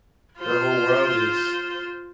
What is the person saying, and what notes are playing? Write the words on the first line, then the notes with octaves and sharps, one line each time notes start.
their whole world is
F4 C5